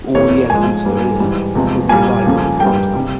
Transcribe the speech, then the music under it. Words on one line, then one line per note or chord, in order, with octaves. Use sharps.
All the elements were here for the arrival of hardcore.
F2 E3 A#3 C#5
G#2 F3 G#3 G#5
G2 G3 A#3
G#2 E3 G3
E2 C3 F3 G#3
A#2 G3 A#3 G#5
F2 C#3 F3 A#3
G2 G3 A#3 G5
C3 G3